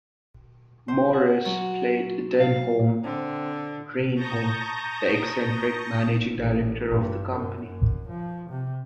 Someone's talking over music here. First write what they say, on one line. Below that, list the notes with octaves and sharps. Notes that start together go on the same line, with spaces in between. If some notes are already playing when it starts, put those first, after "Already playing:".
Morris played Denholm Reynholm, the eccentric managing director of the company.
C5
F#4
F#3
F5
D3 C4
A5 A#5 C#6 D#6 G6 A#6
A1
G2
F#2
F#2
F3
C3